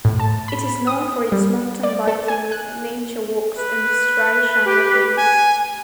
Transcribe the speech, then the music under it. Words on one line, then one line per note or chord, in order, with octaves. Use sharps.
It is known for its mountain biking, nature walks, and the Sri Jangha caves.
A2
A5
B5
D#6
G3
D5
A4
G#5
F#6
B4
G4
G#5